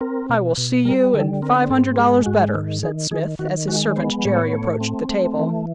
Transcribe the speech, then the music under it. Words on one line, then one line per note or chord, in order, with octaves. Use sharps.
"I will see you, and five hundred dollars better," said Smith, as his servant Jerry approached the table.
C4 A#4
B2
B2
G3 A#4
D3 A4
C4 A#4
G#2 A4
G#3 G#4
G#2 F#4
D#3
D#3 G#4
D#3 G#4
D#3 F#4
G#3 F#4
B3 C5
A2 C#5
A3
C4
A3
E3